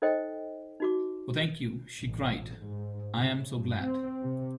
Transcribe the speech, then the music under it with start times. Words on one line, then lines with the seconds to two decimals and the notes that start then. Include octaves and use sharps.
Oh thank you! she cried. I am so glad!
0.02 D#4 A4 C5 D#5 G5
0.80 D#4 F#4 D6
2.00 A1
2.59 G#2
3.14 C#3
3.52 G2
3.81 C4
4.21 C3